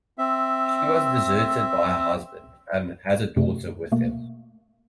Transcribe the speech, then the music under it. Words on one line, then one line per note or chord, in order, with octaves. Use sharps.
She was deserted by her husband, and has a daughter with him.
C4 E5
F#2 C3 A3
B2 A3 A#3